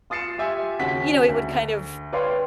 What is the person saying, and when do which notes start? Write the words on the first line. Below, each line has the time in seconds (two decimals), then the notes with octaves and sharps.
you know, he would kind of
0.10 F4 D#6 A6 C7 C#7 E7
0.38 F4 G4 E5 G#5
0.79 D#2 C#3 F#4 F#5 G#5 B6
1.28 D2
2.13 B4 C#5 D5 F5 G5 C6